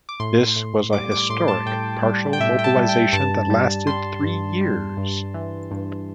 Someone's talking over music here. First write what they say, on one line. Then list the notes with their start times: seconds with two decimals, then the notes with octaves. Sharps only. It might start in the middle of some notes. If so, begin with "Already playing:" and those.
This was a historic partial mobilization that lasted three years.
0.09 D6
0.20 A2 C6
0.56 A2
0.93 G3 D6
1.12 D6
1.29 A2 C6
1.48 A5
1.66 A2 G5
2.03 G3
2.33 G5
2.40 A2 E5
2.59 G5
2.64 A5
2.77 G3
2.89 G5
3.13 G2 A5
3.50 G3
3.87 G3 C6
4.23 G2
4.61 G3
4.97 G2
5.34 E3
5.71 G2